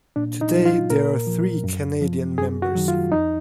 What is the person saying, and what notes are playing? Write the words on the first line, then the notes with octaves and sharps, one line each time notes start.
Today there are three Canadian members.
A#2 D4
D#4
F#3
F4
A#2 A#4
F3
F#2
F3
F#2 G#4
F#4
D#3 F#3
F4
F2 D#4